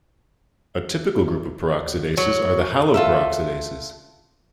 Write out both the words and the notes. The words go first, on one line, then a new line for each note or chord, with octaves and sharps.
A typical group of peroxidases are the haloperoxidases.
F#3
F4 A4 E5